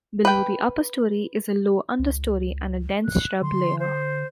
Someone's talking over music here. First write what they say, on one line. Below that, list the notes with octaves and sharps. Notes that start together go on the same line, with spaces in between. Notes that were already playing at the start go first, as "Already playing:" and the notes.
Below the upper story is a low understory and a dense shrub layer.
B4 G5
C#2
F#6
D3 C6
C5